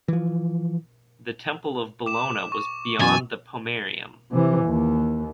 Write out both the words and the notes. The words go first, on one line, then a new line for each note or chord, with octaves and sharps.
The Temple of Bellona was beyond the pomerium.
E3 F3
D6 E7
C#6
F#2 B2 E3 G#5 A6
C3 E3
D#2